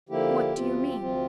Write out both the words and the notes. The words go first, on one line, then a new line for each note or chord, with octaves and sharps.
"What do you mean?"
D3 F3 A#3 E4 G4
D2 C3 F3 C4 F4
D2 C3 F3 C4 F4